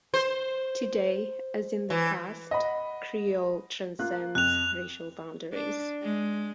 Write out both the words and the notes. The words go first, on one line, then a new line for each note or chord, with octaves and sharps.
Today, as in the past, Creole transcends racial boundaries.
C5
E3
D#5 F#5 B5
A#3 F4 F#6
F2 F#6 F7
D4
G#3